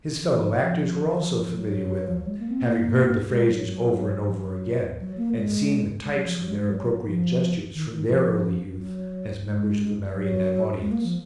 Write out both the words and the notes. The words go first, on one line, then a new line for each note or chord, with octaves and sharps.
His fellow-actors were also familiar with them, having heard the phrases over and over again, and seen the types with their appropriate gestures from their early youth as members of the marionette audience.
F3
D#3
F3
F3
D#3
F3
F3
F3
F#3
F3
F#3
G#3
A#3
C4
A#3
G#3
F#3
F#3
F3
F#3
F#3
A#3
G#3
G#3
F#3
F3
F3
F#3
G#3
G#3
F#3
F#3
F3
D#3
D#3
F3
F#3
G#3
F#3
G#3
A#3
F3